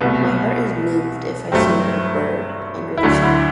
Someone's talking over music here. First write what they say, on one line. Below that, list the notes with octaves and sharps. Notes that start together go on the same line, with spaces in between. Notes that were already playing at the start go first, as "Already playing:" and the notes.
My heart is moved if I see a little bird under the snow.
C2 B2 A3 B3
G2 F#3 A3 C4
E4
D2 D3 F#3 A3 D4
E4